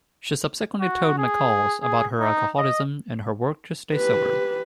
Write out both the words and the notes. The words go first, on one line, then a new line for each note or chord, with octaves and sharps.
She subsequently told "McCall's" about her alcoholism and her work to stay sober.
F#4
G#4
G#4
D#4
D#5
G4 B4